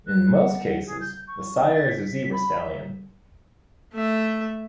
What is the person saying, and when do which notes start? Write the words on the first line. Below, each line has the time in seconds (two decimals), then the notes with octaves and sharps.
In most cases, the sire is a zebra stallion.
0.06 F#6
0.32 F#5
0.86 G#4
1.00 G6
1.27 C#6
1.73 A6
1.88 B6
2.32 B5
2.59 E5
3.93 A3 E5